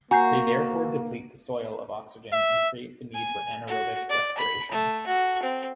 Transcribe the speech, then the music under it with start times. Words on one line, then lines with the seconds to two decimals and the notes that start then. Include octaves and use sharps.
They therefore deplete the soil of oxygen and create the need for anaerobic respiration.
0.11 A#3 F#4 G#5 A#5 G6 C7
2.33 E5
3.14 G#5
3.67 F#4
4.09 D5
4.38 B5
4.71 A3
5.07 F#4
5.43 C4